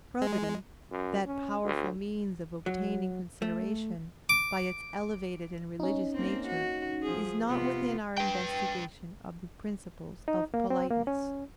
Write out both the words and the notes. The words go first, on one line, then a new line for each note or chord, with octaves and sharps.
Probity, that powerful means of obtaining consideration, by its elevated and religious nature, is not within our investigation of the principles of politeness.
G#3
F#2
C#4
D2
F#3
A3
D6
C#4 D#4
A#3 C4
F#4
F3 G#4
C3 B3 F4
B4 G5
D#4
A#3
C4
A#3
C#4